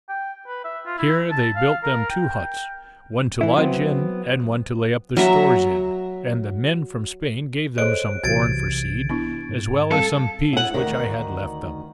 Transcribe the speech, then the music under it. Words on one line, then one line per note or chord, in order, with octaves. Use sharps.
Here they built them two huts, one to lodge in, and one to lay up their stores in; and the men from Spain gave them some corn for seed, as well as some peas which I had left them.
G5
B4
E5
F4
E4
A5
F5
A#4
G5
E3 E4
F#3 B3 C4
F#3 E5 A#5
G#4 A4 C5 C#5 D#5 F#6 D7
B1 C3 E3 F#4 G#6 A6 D7
B3 D4 E4
G#2
G3 C4 A4 F5
E4 F#5
D2 D#3